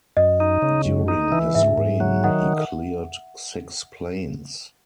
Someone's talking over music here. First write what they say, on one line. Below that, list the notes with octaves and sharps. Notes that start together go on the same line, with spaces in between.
During his reign he cleared six plains.
F#2 D#5
D#4
C#3
F#2
D#4
E3
G#2 E5
G#2
F#3
D#3 F#5